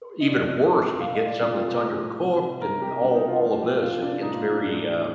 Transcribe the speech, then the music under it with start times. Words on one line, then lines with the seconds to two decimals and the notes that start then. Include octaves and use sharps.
even worse, if you get something that's undercooked and all all of this, it gets very, uh,
0.20 C3 F3 D#5
0.28 D5
0.36 D#5
0.60 C3 G3
1.01 A#2 G3 F5
1.14 D#5
1.27 D5
1.41 C3 G3
1.46 F4
1.54 G4
1.64 A4
1.72 A#4
1.81 A2 F3 C5
2.21 C3 G3
2.61 C3 G3 A#4
2.82 G4
3.01 C3 G3 D4
3.15 D#4
3.28 F4
3.42 A2 F3 F4
3.62 G4
3.82 C3 F3 F4
4.02 D4
4.22 A2 G3 D#4
4.33 F4
4.43 D#4
4.53 D4
4.62 A2 G3